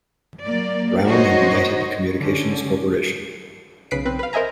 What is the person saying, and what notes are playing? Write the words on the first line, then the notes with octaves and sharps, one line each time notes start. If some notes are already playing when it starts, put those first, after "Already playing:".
Brown and United Communications Corporation.
F#3 A#3 D5
D#4 F#4 C5 C#5 D#5
D3 C#4
B1 C#3 B4 B6 C7 D7
B1 C4 B4
B4 F5
A#4 C5 D#5 E5 G#5 A#5